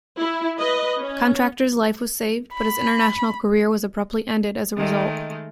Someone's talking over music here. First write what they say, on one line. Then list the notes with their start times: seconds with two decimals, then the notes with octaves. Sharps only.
Contractor's life was saved but his international career was abruptly ended as a result.
0.18 E4
0.57 B4 D#5
1.01 C#4
2.53 B5
4.76 D#3 G#3 A3